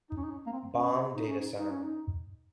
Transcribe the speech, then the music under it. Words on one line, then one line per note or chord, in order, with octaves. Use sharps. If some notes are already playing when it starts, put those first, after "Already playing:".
Bomb Data Center.
D#4
C#4
D#4
C#4
A#3
C4
C#4
D#4
C#4
D#4
D#4
C#4
D#4